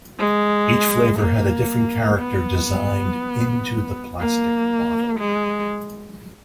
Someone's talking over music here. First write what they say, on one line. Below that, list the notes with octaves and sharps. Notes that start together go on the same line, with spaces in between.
Each flavor had a different character designed into the plastic bottle.
G#3
A#3
B3
A#3
G#3